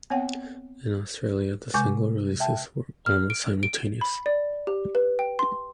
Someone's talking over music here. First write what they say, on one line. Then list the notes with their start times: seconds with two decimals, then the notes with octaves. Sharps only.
In Australia, the single releases were almost simultaneous.
0.10 B3 C4 C#5 F#5 G5
1.74 C3 G#3 G#5 C#6 D6 G6
2.40 E5 G5 A5
3.06 F6
3.30 D7
3.63 D7
4.01 B5
4.26 D5
4.67 G4
4.95 B4
5.19 G5
5.39 C6